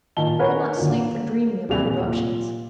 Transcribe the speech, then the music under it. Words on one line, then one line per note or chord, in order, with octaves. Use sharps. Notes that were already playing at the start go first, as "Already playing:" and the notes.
I could not sleep for dreaming about eruptions.
A#2 D#3 D#5 A5 G7
A#4 B4 C#5 F#5 G#5
F#2 A#2 D3 D#3
A#3
D#1 C3 D4 G4 D5 F7
A#2